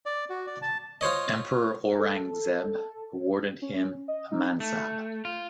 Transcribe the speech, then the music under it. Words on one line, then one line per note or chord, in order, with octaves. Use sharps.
Emperor Aurangzeb awarded him a Mansab.
D5
F#4
D5
A5
F4 C5 C#5 D#5
A4
C#4
D#5
D#4
A3
F4